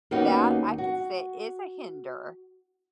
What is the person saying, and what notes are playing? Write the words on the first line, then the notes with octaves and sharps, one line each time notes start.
that, I could say, is a hinder
D#2 A#3 B3 C#4 D#4 F#4
F#4